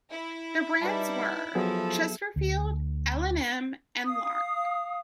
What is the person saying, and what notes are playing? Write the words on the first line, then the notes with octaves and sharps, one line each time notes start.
The brands were: Chesterfield, L and M, and Lark.
E4
G3 D#4 B4 A5
F3 F#3 B3 G#4 A4
D2
F5 D#6